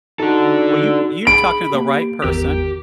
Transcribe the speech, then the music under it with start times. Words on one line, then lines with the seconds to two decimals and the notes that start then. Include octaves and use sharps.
Well you you're talking to the right person,
0.19 D4 D#4 F#4 A4
1.27 G#4 B5 D7
1.70 A#3 G4
2.24 G#1 E2 G4 A#4